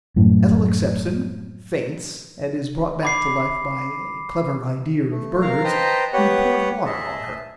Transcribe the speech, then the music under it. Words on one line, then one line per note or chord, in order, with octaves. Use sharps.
Ethel accepts him, faints and is brought back to life by a clever "idear" of Bernard's, who pours water on her.
F#2 A2
B5 D6 C7
A3
A#4 F5 A#5 F6
B4 C5 D#5 G5 A5 A#5
B3 G4 B4 C#5 F#5
G#4 D#5 E5 A5